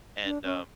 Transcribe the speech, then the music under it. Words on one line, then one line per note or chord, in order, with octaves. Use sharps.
and, um
D4
C#4